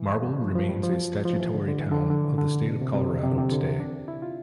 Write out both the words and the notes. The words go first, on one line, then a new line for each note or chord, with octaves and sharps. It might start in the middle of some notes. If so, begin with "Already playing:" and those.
Marble remains a statutory town of the State of Colorado today.
Already playing: E3
F3
F3
G3
F3
F3
E3
D3
D3
E3
D3
D3
E3
D3
B2
C3
C3
D3
C3
D3
C3
D3
E3
D4
E4
F4